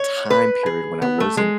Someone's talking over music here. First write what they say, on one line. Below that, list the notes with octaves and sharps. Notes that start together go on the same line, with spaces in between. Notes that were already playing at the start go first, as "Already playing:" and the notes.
time period when I wasn't
Already playing: C#5
B4
G#4
B3
A3
G#3